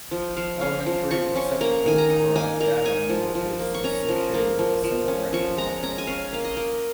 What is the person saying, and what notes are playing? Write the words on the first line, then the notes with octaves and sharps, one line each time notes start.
Elementary receptacle for a datum which is associated with a single Record Type.
F3
F3 F5
C#4 F5
F3
F3 C#6
C#4 C#6
A#3 A#5
D#3 G#5
A#5
D#4
A#3 G#5
A#3 A#5
D#4 G#5
F3
F3
A#3
C#6
C#4 A#5
F3
A#3
F3
F3
C#4
F3 C#6
G#3 A#5
C#4 A#5
G#5
C#4 F5
A#3 F5
D#5
A#3